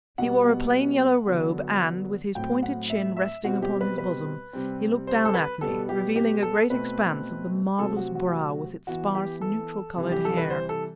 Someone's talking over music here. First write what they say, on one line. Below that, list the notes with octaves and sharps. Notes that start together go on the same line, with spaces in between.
He wore a plain yellow robe, and, with his pointed chin resting upon his bosom, he looked down at me, revealing a great expanse of the marvelous brow with its sparse, neutral-colored hair.
B2 G3 B3 F#5
D3 F#3 B3
A2 F#3 C4 G5
F#5
E5
E5
B2 G3 C4 F#4
G4
B4
B4
C3 G3 C4
C5
A4
B4
B2 G3 B3 A4
G4
G4
A4
B2 A3 C4 B4
C3 F#3 A3 C4 A4
F#4
F#4
E3 B3 F#4
G4
A4
C3 E3 G3
G4
A4
B4
C5
A4